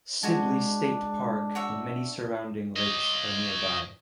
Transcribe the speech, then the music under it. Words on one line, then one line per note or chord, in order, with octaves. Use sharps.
Sibley State Park and many surrounding lakes are nearby.
G#3 D4 F#4 G#5 A5
F#4 C#5 E5
C#5 D#5